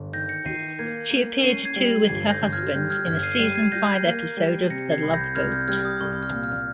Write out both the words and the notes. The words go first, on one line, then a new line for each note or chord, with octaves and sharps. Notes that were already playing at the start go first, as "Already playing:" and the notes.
She appeared too with her husband in a season-five episode of "The Love Boat".
Already playing: G1
D#3 G6 A#6
A#6 C#7
D#3 C7 D#7
A#3 G#6 C7
A#3
C#4 C7 D#7
G#6 C7
G3
G1 G#6 C7
G6 A#6
G1
F6 G#6
G3 G6
F6 G#6
G1 F6 G#6
C7 D#7
G3 C7 D#7
G#6 C7
G3 G6 A#6
G#6 C7
A#3
G3
C3 A#6 C#7
G#6 C7
C2
G6 A#6
C2 F6 G#6
G6
G3 F6 G#6
D#6
C2 C#6
F6
A#2
F6